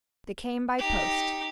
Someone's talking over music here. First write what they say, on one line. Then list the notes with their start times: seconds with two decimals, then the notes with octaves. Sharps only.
"They came by post."
0.79 D#4 G4